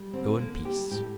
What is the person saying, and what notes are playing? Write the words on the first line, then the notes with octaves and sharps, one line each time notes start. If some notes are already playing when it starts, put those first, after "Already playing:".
Go in peace!
Already playing: G3
D3 C4
D3
A#3
A#3
G4
G3
A2 G4